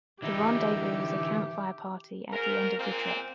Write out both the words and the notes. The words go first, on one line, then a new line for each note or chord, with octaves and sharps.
The Rendezvous is a campfire party at the end of the trip.
D3 E3 D#4 G4 E5
G#2 A#4
A#2 G#3 A#3 C4